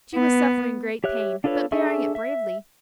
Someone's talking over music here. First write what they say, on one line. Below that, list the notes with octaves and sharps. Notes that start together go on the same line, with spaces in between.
She was suffering great pain, but bearing it bravely.
B3
G4 C#5 E5 F#6
D4 F4 A4 B4 C#5
D4 G#4 A4 E5 C#6
E5